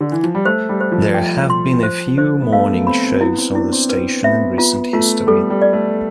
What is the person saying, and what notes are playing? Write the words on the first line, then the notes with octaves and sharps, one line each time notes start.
There have been a few morning shows on the station in recent history.
D3
E3
F3
G3
A3 C5
G3
C5
F3
G5
C6
C5
C5
B3
A3 F5
B3
C4 B5
C4
B3 E4
C4
D4 E4
C4
B3 B4
B3 E5
B3 F4
A3 F4
G3 A4
G3
D5
A3